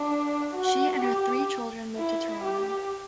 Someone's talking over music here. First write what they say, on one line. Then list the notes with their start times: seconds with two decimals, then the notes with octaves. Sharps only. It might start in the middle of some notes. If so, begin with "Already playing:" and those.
She and her three children moved to Toronto.
Already playing: D4
0.54 F#4
1.01 G4
1.97 E4
2.44 G4